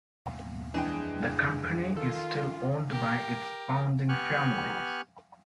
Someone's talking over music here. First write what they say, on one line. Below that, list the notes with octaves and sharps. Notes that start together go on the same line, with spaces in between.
The company is still owned by its founding families.
F2 E3 G#3 D4 G#4 G5 E7
D#3 F4 A4
G4 A#4
B3 G4 G#5 C#6 F6 F#6